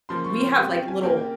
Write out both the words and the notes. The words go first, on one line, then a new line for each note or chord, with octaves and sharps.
We have, like, little
C#3 F3 A#3 C6
C#6
C6
C#3 G3 C4 G5
G5
G#5
C#3 G3 A#3 G5
G5